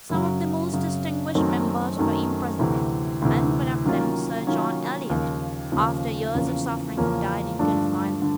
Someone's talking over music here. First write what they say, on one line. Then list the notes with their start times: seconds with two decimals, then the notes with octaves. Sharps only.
Some of the most distinguished members were imprisoned; and one of them, Sir John Eliot, after years of suffering, died in confinement.
0.10 F#2 C#3 F#3
0.73 F#2 C#3 F#3
1.35 F#2 D#3 F#3 A3 C4
1.97 F#2 D#3 F#3 A3 C4
2.59 D2 C3 E3
3.22 D2 C3 E3
3.84 D#3 F#3 A#3 C#4 F4
4.47 D#3 F#3 A#3 C#4 F4
5.10 D#2 C#3 F3
5.72 D#2 C#3 F3
6.35 E2 C#3 F3 A#3 C#4
6.97 E2 C#3 F3 A#3 C#4
7.59 G2 D3 F3 A3 D4
8.22 D3